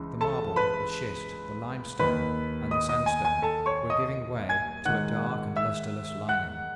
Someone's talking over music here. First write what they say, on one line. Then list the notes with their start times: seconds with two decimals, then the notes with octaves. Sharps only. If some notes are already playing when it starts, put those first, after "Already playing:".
The marble, the schist, the limestone, and the sandstone were giving way to a dark and lustreless lining.
Already playing: C#2 C#3 E3
0.21 A4 A5
0.56 B4 B5
1.99 D#2 D#3 B4 B5
2.71 D#5 D#6
2.89 D#5 D#6
3.06 G#5
3.25 G#5
3.42 A4 A5
3.66 C#5 C#6
3.90 D#5 D#6
4.49 G#5 G#6
4.85 G#2 D#3 F#5 F#6
5.56 E5 E6
6.29 F#5 F#6